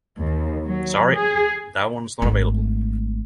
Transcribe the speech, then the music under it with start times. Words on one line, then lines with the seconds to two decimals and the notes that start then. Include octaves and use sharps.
Sorry, that one's not available.
0.19 D#2
0.65 F#3
1.13 G#4
2.22 G#1 A3